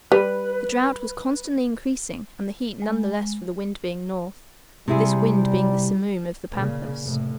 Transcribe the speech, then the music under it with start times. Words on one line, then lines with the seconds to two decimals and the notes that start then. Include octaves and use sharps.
The drought was constantly increasing, and the heat none the less for the wind being north, this wind being the simoom of the Pampas.
0.12 G3 B4
2.82 G#3
4.88 C3 G3 E4 G#4
6.51 A#2 C#3
7.03 F1 A2